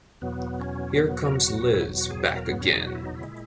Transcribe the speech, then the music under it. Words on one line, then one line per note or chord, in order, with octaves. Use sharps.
Here comes Liz, back again!
E2 B2 F#3 B3
C#4
B3
B3
F#4
A#4
F#4
E2 B2 F#3 E4
F#4
G#4
A#4
A#4
B3
C#4
D#4
F#4
E4
D#4
E4
A#2 G#3